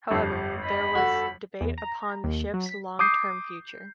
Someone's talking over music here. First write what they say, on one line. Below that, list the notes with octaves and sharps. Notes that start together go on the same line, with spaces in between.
However, there was debate upon the ship's long-term future.
G1 F2 G4
D#5 B5
F#4 A4 F#5
E2
A#5
D#2
F#3
B6
D6 D#6 G6 C7